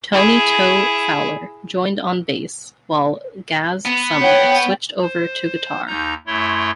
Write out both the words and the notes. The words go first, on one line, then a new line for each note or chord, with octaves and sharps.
Tony "Toe" Fowler joined on bass, while Gaz Sumner switched over to guitar.
E4 G#4
B3
C#5 F#5 G5
C5
D#2 D#4 A#5 G6
F#2 A3 E4 C#5 C6